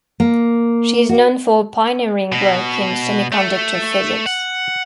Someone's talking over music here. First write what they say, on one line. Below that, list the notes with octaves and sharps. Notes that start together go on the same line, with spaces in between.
She is known for her pioneering work in semiconductor physics.
A#3
F#4
B2
A3
F#5